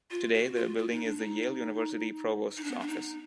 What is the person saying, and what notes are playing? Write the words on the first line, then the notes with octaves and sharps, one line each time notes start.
Today, the building is the Yale University Provost's Office.
F4
F#4
F4
F4
D#4
D4
D#4
D#4
D4
B3
D4
D#4